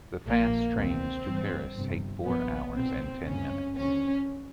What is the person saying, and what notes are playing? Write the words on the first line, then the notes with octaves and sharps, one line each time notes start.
The fast trains to Paris take four hours and ten minutes.
A#1 A#2 F3 A#3
D2 C3 D#3 C4
G#1 G2 E3
G1 F2 C3
A#1 A#2 F3 B3
B1 A#2 F3 C4
G1 F#2 C#3 C#4
D#2 D3 F3 C#4